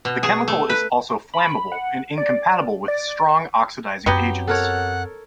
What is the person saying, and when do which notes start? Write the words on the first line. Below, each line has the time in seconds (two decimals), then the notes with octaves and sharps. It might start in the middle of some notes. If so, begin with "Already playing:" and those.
The chemical is also flammable and incompatible with strong oxidizing agents.
0.05 B2
0.23 G#4
0.48 A3
0.70 B4
1.34 B5
1.72 F#5
2.18 D5
2.88 D5
4.06 F#2 F#3 B3 C4 G4
4.47 A4 A#4 C#5 F#5